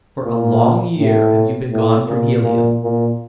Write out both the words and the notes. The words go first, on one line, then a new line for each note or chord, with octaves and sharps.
For a long year have you been gone from Helium.
A#2
A2
A2
A#2
A#2
A#2